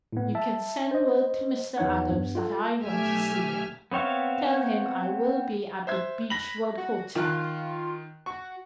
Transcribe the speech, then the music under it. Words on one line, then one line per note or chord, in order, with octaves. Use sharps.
You can send word to Mr. Adams that I want to see him. Tell him I will be at the Beechwood Hotel.
A2 B3
E5 A5
C5 D#5
E2 E3 D#4 C#5 F#5
G2 B3
F4 A4
B1 A3 G4 E5 G#5 F6
B3 C4 C#5 E5 F5
C5 E5 G#6
B5 A#6 F#7
F#4
D#3 F4 F#6
F#4 C#6